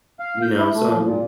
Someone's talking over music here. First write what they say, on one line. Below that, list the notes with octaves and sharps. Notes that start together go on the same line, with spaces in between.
you know, so I'm
F5
G6
E4
A3
F3
A#2